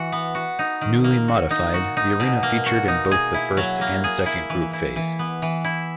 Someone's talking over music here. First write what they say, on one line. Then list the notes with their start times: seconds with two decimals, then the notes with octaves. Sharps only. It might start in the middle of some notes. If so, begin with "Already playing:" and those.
Newly modified, the arena featured in both the first and second group phase.
Already playing: E3 F#4
0.12 B3
0.35 F#4
0.59 D#4
0.81 D#3
1.04 A#3
1.28 F#4
1.51 D#4
1.74 F#4
1.97 D#4
2.20 B2
2.43 A#3
2.66 F#4
2.88 D#4
3.11 G#4
3.34 E4
3.57 F#3
3.81 A#3
4.04 G#4
4.26 E4
4.50 E3
4.73 E4
4.96 E3
5.19 B3
5.42 E3
5.65 E4